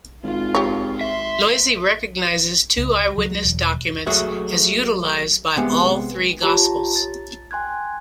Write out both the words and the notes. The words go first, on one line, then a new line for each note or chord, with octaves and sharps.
Loisy recognizes two eye-witness documents, as utilized by all three Gospels.
G#1 F4
G4 C#5
E5 C6
C#2
F#3
E1
F#3 A3 F#4 G#4 E5
C3 G#3 B3
F4 G4 C#5 A5 A#5 C6
A6
G5 G#5 C6 F#6 G#6